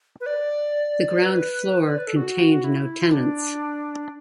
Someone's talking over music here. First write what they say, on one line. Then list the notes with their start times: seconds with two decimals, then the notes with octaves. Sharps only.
The ground floor contained no tenants.
0.20 B4
0.26 D5
1.22 B4
1.89 D5
1.98 B4
2.07 A4
2.16 F#4
2.64 E4
3.12 D4